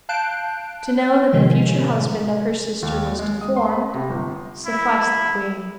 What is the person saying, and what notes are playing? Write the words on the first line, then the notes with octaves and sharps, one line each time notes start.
To know that the future husband of her sister was deformed, sufficed the queen.
F5 A5 F#6 G6 D7
A2 C3 D#3 F3 G#3
D#2
G#3
D#6
C6
B5
C3
G1
E4